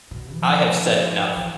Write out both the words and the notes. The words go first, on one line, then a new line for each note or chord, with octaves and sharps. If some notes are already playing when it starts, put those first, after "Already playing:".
I have said enough.
B2
F3
E3